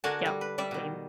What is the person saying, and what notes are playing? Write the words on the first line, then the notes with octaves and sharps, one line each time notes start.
Yep. Same.
D3 D4 F#4 A#4 G#5 A5
G3
B4
G3 D5 E5
B2 D#3